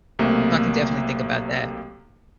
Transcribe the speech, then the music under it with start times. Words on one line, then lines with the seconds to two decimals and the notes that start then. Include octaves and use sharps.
So, I can definitely think about that.
0.19 B1 C3 A3 A#3